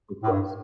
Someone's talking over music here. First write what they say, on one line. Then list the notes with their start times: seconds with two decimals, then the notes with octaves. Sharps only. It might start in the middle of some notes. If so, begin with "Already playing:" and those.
of course.
0.23 A2
0.31 G2